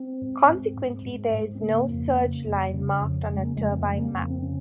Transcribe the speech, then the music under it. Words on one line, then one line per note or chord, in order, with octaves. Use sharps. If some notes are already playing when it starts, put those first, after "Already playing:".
Consequently there is no surge line marked on a turbine map.
Already playing: C4
G#2
G#2
G#2
G#2
G#2
C4
C#3 A#3
F2
C#3
F2
C#3
F2
C#3 G#3
A#3
F2 G#3
C4
A#3
C#3 G#3
A#3
F2 C4
C4
C#3 C#4